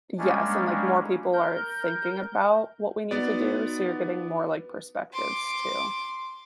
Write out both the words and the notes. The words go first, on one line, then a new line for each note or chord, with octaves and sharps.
yes, and, like, more people are thinking about what we need to do, so you're getting more, like, perspectives too.
G3 G#3 A#3 C#4 D4
A#4 G6
B3 D#4 F#4 B4 D5
C6 D6